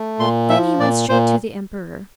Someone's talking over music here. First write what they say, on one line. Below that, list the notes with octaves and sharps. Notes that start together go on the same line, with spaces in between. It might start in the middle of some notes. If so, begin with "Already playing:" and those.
Then he went straight to the emperor.
Already playing: A3
A#2 C6
F3 E5
A#2 D5
A#2 C5